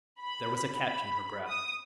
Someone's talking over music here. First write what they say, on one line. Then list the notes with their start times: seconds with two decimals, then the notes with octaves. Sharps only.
There was a catch in her breath.
0.20 B5
0.83 B5
1.48 D#6